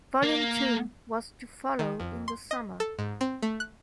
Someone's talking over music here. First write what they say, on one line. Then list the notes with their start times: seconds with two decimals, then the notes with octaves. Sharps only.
Volume Two was to follow in the summer.
0.23 A#3
1.79 D#3
2.00 F2
2.28 C6
2.51 D#5
2.80 A4
2.99 G#2
3.21 C4
3.42 A3
3.60 F#6